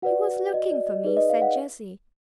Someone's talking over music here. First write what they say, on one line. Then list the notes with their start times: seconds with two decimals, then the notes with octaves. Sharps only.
"He was looking for me," said Jessie.
0.02 F#4 B4 D5 F#5
0.27 D5
0.53 F#4 D5 D#5
0.71 D5
0.87 D#5
1.04 D#4 G#4 B4 D5
1.17 D#5
1.29 F5
1.42 F#5